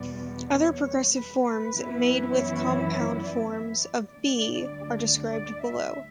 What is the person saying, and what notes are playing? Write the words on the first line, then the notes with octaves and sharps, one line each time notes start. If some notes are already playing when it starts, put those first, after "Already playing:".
Other progressive forms, made with compound forms of "be", are described below.
Already playing: E2 B2 G3 B3 D5
C#5
B4
B4
F#2 E3 B3 E4
C#5
C#5
D5
E5
D5
D2 D3 G3 D4 D5
D5
E5